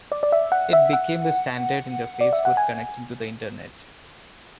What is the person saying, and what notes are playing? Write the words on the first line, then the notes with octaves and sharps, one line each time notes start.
It became the standard interface for connecting to the Internet.
D5
D5
E5
F#5
E5
F#5
D5
E5
F#5
G#5